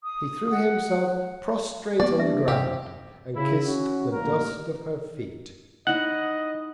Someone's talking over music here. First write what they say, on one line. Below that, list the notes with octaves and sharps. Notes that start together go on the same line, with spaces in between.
He threw himself prostrate on the Ground, and kiss'd the Dust of her Feet.
D#6
F#5
G3 A#3 B3 G4 D5
D4 E5
C3 G4 C5
C#3 E4
C#4 F#4
A1 G3 A#3 A#4
D#4 E4 D#5 F#5